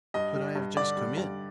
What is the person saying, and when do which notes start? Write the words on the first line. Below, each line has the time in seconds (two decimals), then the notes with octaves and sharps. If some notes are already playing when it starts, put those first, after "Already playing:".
But I have just come in.
0.14 G2 D#5
0.35 G3
0.56 G2
0.77 D3 D5
0.97 G3
1.17 G2